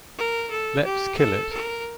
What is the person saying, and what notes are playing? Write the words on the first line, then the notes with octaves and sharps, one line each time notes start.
Let's kill it.
A#4
A4
G4
A4
A#4